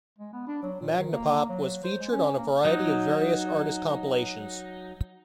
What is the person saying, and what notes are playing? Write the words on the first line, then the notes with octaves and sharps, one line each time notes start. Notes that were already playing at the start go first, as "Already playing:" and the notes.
Magnapop was featured on a variety of various artist compilations.
G#3
B3
D4
F#3
A#2
D#3
A#3
F#3
C5
G#3
C#4
A#3
F#3 D#4